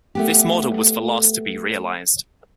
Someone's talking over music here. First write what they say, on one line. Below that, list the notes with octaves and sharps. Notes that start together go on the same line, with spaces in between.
This model was the last to be realized.
A3 B3 G4